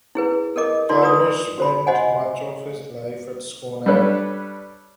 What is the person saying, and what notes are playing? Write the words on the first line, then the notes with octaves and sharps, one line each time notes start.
Carver spent much of his life at Scone Abbey.
E4 G#4 B4
A4 A#4 D#5 D6
D#4 F4 D5 C6
B4 D5 D#6
F#4 C5 B5
F#4 C5 D#5 F#5 G#5
G3 D4 A4 B4 C#5